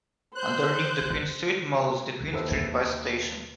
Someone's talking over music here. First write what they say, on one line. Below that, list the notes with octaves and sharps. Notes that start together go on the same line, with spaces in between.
Underneath the Queen Street Mall is the Queen Street Bus Station.
C5 F#6 G6
D#2 A4 B4 C5 E5 E6